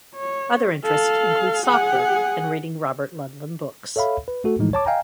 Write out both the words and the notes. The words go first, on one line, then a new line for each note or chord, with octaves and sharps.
Other interests include soccer and reading Robert Ludlum books.
C#5
A4 F5
G#4 F#5
A4 C#5 E5 F5 B5
B4
A3 F#4 A4
A2 E3 F3 G#3 D#4
C#5 A5 D6
D#5 F5 G5 G#5 A#5